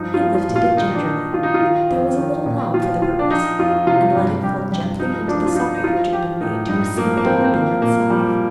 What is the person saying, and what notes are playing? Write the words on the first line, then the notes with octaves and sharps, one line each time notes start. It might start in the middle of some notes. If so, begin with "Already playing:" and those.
He lifted it gingerly--there was a little knob for the purpose--and let it fall gently into the socket which had been made to receive it on the door itself.
Already playing: G2 F3 D#4
F4
F3
F4
A#2
F4
D#3 D#4
D4
D#3 D#4
D#3 F4
D#4
F4
D#3
F2
D#3
A#2
F3 F4
F3 F4
D4
F3 D#4
F2 F4
C3 F4
G2 G4
G2 G4
G2 G4
F3 D#4
F3 D4
F4
F3 D#4
D#4
F3 F4
F3 G4
A2 D#4
G2 D#4
F3 A#3
A#3
F3 C4
C4
F3 A#3
A#2 A#3
F3 G3